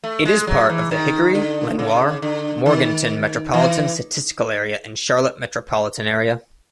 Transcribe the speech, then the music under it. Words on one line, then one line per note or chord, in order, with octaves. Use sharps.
It is part of the Hickory-Lenoir-Morganton Metropolitan Statistical Area and Charlotte Metropolitan Area.
A3
G#3
F#3
E3
D#3
D3
C#3
D3
D#3
E3